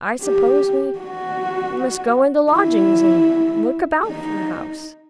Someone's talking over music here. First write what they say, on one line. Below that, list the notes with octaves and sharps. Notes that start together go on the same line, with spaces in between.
'I suppose we must go into lodgings, and look about for a house.
G4
F#4
E4
D#4